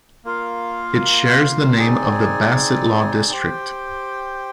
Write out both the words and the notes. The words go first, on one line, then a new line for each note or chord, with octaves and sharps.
It shares the name of the Bassetlaw district.
A#3 F4 A#4 F5
C4 D#4 G#4 D5 G#5
G4 C5 G5